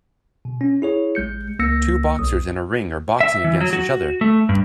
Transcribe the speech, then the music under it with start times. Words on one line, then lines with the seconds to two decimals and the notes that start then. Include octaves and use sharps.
Two boxers in a ring are boxing against each other.
0.45 B2
0.61 C#4
0.82 E4 G#4 C#5
1.15 A1 G#3 G6 C#7
1.59 C#2 A#3 E6 A#6 C#7
2.19 B1 D#6
3.20 E5
3.44 E3
3.61 F#3
3.73 F#4
4.21 A3
4.49 G2